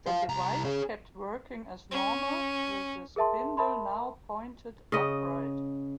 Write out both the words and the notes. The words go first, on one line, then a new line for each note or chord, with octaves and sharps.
The device kept working as normal, with the spindle now pointed upright.
C5 F5
C2 A#5
G#4 C#5
C#4
G#4 A#4 E5 A5 C6
A#4 E5 A5 B5 C6
C#3 D#5